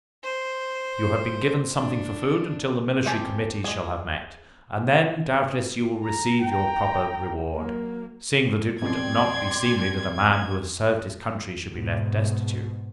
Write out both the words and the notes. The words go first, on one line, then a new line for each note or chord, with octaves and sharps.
You have been given something for food until the Military Committee shall have met, and then, doubtless, you will receive your proper reward, seeing that it would not be seemly that a man who has served his country should be left destitute.
C5
D4
C4 G4 G#4 G#5 A5
G#3 G#4
A#5
G5 A#5
F#3 A#3
A1 F2 B2 D5 G5 C6 G#6
G#2 B2